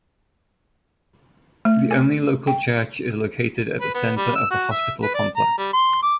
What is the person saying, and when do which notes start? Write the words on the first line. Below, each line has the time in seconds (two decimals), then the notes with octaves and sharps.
The only local church is located at the center of the hospital complex.
1.65 A3
1.91 G#5
2.47 G5
3.81 B4
3.95 B3
4.17 G3
4.35 E6
4.51 F#4
4.71 E5
5.03 B4
5.14 D5
5.36 A#5
5.58 G3
5.73 C6
6.03 D6